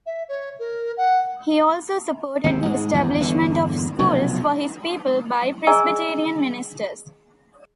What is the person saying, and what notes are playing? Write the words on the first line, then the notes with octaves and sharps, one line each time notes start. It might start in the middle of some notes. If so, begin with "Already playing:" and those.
He also supported the establishment of schools for his people by Presbyterian ministers.
E5
C#5
A#4
F#5
G#1 D#2 C3 C4
G#2 G#3
G#1 E2 G2
G1 E2 D3
F1 B1 F2
G#4 D5 D#5 G#5 A#5 E6